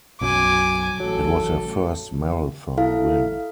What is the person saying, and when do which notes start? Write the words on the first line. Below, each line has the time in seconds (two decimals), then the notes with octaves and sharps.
It was her first marathon win.
0.21 B1 F#2 F#3 G#5 D6
1.00 A1 F#3 A4
2.77 E4 A4 F5